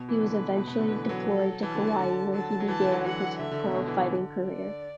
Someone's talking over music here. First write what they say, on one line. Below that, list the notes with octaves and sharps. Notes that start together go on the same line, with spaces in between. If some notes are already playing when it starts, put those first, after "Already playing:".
He was eventually deployed to Hawaii where he began his pro fighting career.
Already playing: B2
E3
D3 B4
B2
B2
D3
E3
F#3
A4
E3 A5
D3
E3
D3
F#3 A5
F#3
E3 A5
D3
F#3
E3 F#5
D3 E5
D3
B2
B2
E3
D3
D5